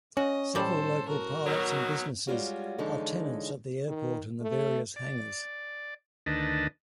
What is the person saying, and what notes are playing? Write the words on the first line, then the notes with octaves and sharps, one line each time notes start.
Several local pilots and businesses are tenants at the airport in the various hangars.
C#4 F#4 D#5
A2 G3 A4 C5
F#4 A#4
B2 D#3 F#3
G3 G#3 A#3 C#4 F4 F#4
D3 E3 F3 G#3 C#4 D#4
D#3
A3
D5
D2 D#3 D4 B4 D#5 A5